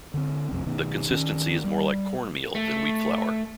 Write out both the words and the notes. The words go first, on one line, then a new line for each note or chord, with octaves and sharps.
The consistency is more like corn meal than wheat flour.
D3 C4
B1 F2 C3
B2 D#3 B3
D#3 C#4
G3
A3